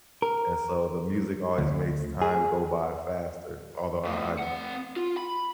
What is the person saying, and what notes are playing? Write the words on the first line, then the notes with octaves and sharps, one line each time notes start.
and so, the music always makes time go by faster, although I
A#4
D2
G#4
F2 A2
C4 F#5
F4
B5